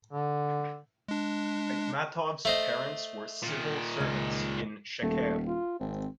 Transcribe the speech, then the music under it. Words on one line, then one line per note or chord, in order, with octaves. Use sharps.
Aitmatov's parents were civil servants in Sheker.
D3
G#3 D4
A3 C5 D#5
A#2 D#3
C#2
D#1 A3
F4
G#1 C4